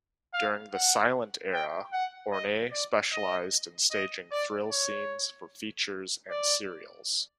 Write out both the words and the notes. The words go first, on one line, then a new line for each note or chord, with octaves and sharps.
During the silent-era Horne specialized in staging thrill scenes for features and serials.
F5
F#5
G5
F#5
D#5
D5
D#5
D#5
D5
C#5
D5